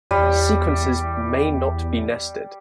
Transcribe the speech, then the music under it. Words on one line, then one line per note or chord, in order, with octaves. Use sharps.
Sequences may not be nested.
E2 G3